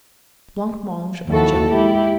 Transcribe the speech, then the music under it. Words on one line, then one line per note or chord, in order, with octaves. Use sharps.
Blancmange of Jelly.
D#2 F3 E4 F#4 A4
G#3 E4 G4